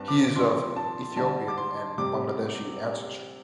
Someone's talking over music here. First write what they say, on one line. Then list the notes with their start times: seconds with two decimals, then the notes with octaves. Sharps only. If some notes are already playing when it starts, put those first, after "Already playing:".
He is of Ethiopian and Bangladeshi ancestry.
Already playing: G2 C4 A5
0.08 D6
0.36 C3 F3 D4 C6
0.76 A5
1.16 D3 G3 D4 A5
1.48 D6
1.58 C6
1.98 C3 G3 D6